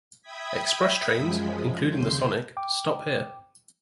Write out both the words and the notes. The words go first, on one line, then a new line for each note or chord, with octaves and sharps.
Express trains, including the Sonic, stop here.
E5 G5 B5 D#6 G#6 B6
F#2 F3 G#3
D#2 C#3 C6 G6
G5 D6